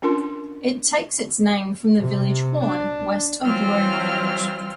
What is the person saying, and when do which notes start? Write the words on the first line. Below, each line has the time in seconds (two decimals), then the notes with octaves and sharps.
It takes its name from the village Horn, west of Roermond.
0.02 C#4 D4 F4 A#4 C6
2.00 C3
2.65 D4
3.44 E3 F#3 G3 C4 F4 F6